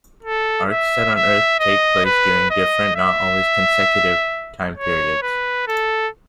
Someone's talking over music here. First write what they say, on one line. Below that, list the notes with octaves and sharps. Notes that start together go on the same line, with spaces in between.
Arcs set on Earth take place during different, not always consecutive, time periods.
A4
E5
E5
D#5
B4
D#5
E5
C#5
B4
A4